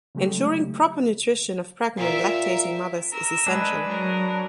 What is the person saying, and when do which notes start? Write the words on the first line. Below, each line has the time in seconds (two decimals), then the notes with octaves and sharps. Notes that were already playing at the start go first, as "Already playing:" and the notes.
Ensuring proper nutrition of pregnant and lactating mothers is essential.
0.15 C#3 F#3 G#3 A3 G4
1.97 A#2 A#3 A#4 E5
3.12 A#4 E6
3.47 G#3 D4 G#4 B4
3.89 F#3 A#4